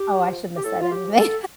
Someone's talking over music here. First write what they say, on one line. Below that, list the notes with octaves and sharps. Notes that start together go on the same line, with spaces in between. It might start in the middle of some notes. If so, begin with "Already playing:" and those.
Oh, I shouldn't have said anything.
Already playing: G4
F3
G4
A2 A4
F4
G4
F3
A4